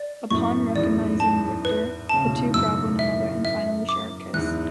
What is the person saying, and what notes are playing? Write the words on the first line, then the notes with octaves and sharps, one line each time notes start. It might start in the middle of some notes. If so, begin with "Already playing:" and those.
Upon recognizing Rictor, the two grab one another and finally share a kiss.
Already playing: D5
F#2 A2 C#6
E2 G#2 D5
A5
B4
C#3 A5
B2
A2
G#2
F#2 E6
E5
E5
D6
E2 G#2 F#6